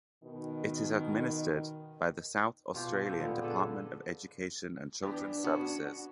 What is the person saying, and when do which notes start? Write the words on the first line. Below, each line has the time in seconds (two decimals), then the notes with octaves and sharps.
It is administered by the South Australian Department of Education and Children's Services.
0.22 B2 D#3
2.74 B2 F4 G4
2.88 F#5
3.05 F4 G4 A4 B4
3.20 A#2 D3 B3
3.42 D4 G#4 A4 B4
5.03 E3 B3 D4 G4
5.44 B3 C#4 F#4